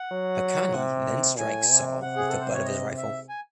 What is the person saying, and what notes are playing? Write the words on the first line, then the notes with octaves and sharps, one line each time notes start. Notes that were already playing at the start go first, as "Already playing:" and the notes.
Haqqani then strikes Saul with the butt of his rifle.
Already playing: F#5
F#3
C3
A2 G#5
C3
C3 F#5
G#4
A4
C5
C#5
D#5
E5
G#5